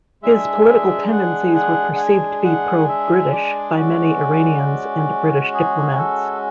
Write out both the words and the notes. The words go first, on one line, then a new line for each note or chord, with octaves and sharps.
His political tendencies were perceived to be pro-British by many Iranians and British diplomats.
G#3 D4 G#4 E5
F#5
F#5
F#5
G#5
F#5
E5
D5
G#3 C#4 F#4
G#4
A4